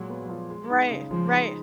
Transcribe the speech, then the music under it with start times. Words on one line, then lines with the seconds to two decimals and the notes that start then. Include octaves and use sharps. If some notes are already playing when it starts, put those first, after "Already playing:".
Right, right.
Already playing: A#2 F#3 G#3
0.10 B3
0.29 F3
0.50 G#3
0.70 D#4
0.91 C#3
1.11 F3 G#3
1.31 D#4